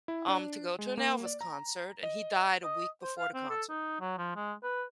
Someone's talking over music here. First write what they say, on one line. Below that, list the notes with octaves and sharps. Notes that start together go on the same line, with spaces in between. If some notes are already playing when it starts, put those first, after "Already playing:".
um, to go to an Elvis concert and he died a week before the concert.
E4
D4
G#3
A#3
D5
A#5
D#5
D#5
C5
F5
C4
A4
D#4
F#3
F3
G#3
B4